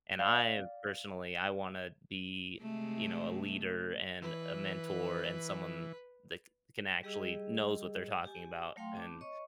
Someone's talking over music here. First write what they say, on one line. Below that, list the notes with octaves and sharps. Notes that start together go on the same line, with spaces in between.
and, I personally, I wanna be, you know, a leader, and a mentor, and someone that c can actually knows what they're talking about and
D5 F5
C3 G#3 A3
E3 B4
G3 G4 G#4 D#5 E6
G4 G#5
F#3 A3 F5 G5 C6
C4 A5 D6
C#5 D#5 C#6